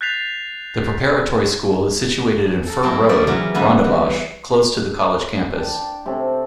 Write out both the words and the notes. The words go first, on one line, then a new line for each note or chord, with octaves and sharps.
The Preparatory School is situated in Fir Road, Rondebosch close to the college campus.
F#6 G6 A6 B6 C7 F7
A4 A#4
F#3 C4 E4 G5 C6
C#4 E4 A#4 C5 D5 E5
C#3 E3 F#3 F4 G4
F2 D3 G3 B3 E5 G#5
E3
D4 G5 A5
G5
C3 C4 C#4 A4